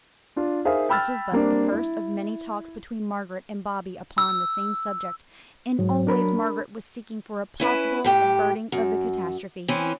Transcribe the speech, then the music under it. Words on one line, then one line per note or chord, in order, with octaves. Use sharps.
This was but the first of many talks between Margaret and Bobby upon the same subject, and always Margaret was seeking for a possible averting of the catastrophe.
D4 F4
D#4 G#4 A#4 C5 E5 F5
G5 B5 E6 F6 A6
G3 A#3 C4 D4
E4
E6
G#2 F#3
D4 A#4 B5
C#4 E4 B4
A2 G4 G5
F#2
E3 C4 C#4